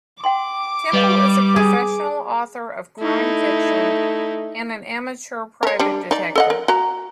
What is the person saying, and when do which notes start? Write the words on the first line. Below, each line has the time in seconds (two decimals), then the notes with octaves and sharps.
Temple is a professional author of crime fiction and an amateur private detective.
0.24 F#5 G5 C6 D6
0.94 G3 B4 D#5 F5
1.56 G#4
2.99 A3 D#4 E4
5.63 A#4 C#5
5.80 G3 D4
6.11 D#4 D5
6.35 A4 D#5 F#5
6.50 A#4
6.68 F#4 A#5